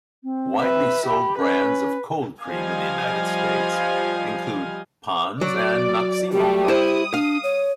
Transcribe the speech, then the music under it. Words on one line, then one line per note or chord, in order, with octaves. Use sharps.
Widely sold brands of cold cream in the United States include Pond's and Noxzema.
C4
B4 E5
G4 B5
C#4 B4
F3 G3 D#5 F5 G#5
F#3 D5
G3 A3 G4
E4 C5 D#6
D4 F5
C#5